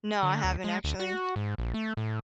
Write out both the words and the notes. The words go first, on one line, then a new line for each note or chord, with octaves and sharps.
No, I haven't, actually.
D3
D2
G#3
D2
F#4
G#2
A#1
A3
A2